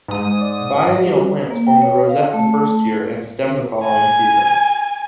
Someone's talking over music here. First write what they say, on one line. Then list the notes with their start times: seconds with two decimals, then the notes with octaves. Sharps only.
Biennial plants form the rosette the first year and the stem the following season.
0.08 G#2 D#6
0.41 D5
1.06 G3 F#4
1.51 A#3
1.67 G5
1.82 C#5
2.09 F5
2.33 A3
3.84 G#5